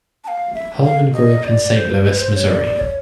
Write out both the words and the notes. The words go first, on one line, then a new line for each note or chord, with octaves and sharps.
Holman grew up in Saint Louis, Missouri.
A5
F5
E5
F5
D#5
D5
C5
B4
B4
C5
C#5
D5
D5
C#5